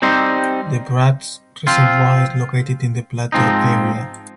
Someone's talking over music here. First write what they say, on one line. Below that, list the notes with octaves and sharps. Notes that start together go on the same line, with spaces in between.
The Bratsk Reservoir is located in the plateau area.
G3 C4 D#4 G4 C5
F3 C4 F4
G#2 F3 C4 D#4